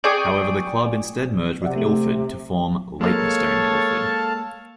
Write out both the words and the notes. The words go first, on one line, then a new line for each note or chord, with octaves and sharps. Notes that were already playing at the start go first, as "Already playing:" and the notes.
However, the club instead merged with Ilford to form Leytonstone-Ilford.
G#4 D5 G5 C#6 D#6
C3 D5 E5 F#5
A3 C4
G#3 A#3 A4 C#5 F5 A5